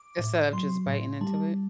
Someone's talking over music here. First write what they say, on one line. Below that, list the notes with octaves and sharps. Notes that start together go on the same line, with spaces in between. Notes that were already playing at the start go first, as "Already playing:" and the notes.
Instead of just biting into it.
Already playing: D6
A2
F#3 C6
A2
G3 A5